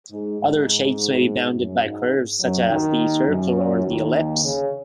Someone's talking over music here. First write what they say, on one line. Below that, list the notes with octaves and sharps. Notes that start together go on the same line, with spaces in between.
Other shapes may be bounded by curves such as the circle or the ellipse.
G#2
G#2
F#2
G#2
F#2 F#3
D#2 D#3
F#2 F#3
D#2 D#3
C#3